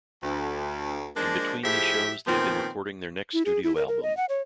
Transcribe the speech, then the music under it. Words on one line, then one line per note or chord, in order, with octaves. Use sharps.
In between these shows they have been recording their next studio album.
D2
F3 G#3 A#3 D4
A2 F3 G4 G#4 E5
A#2 D#3 F3 B3 C4
E4
G#4
E4
A#4
A#4
D#5
F#5
C#5